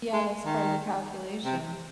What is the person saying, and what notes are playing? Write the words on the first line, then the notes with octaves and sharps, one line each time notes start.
yeah, that's part of the calculation,
G#3
D#3
C3